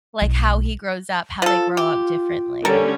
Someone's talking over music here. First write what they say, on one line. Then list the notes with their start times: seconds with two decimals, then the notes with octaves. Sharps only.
like, how he grows up, how they grow up differently.
0.22 B1 E4
1.42 F3 F4 A4
1.77 G4
2.65 D3 G3 C#4 A4 A#4